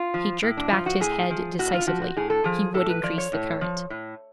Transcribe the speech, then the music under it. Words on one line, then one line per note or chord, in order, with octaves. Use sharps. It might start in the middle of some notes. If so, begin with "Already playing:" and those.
He jerked back his head decisively; he would increase the current.
Already playing: F4
F3
A2
D4
F3 F4
F#4
A2 G#4
F3
A2 F#4
F4
F3 F#4
F#4
A2 G#4
A4
F3 G#4
A2 A4
B4
F3 D5
C#5
A2
F3
A2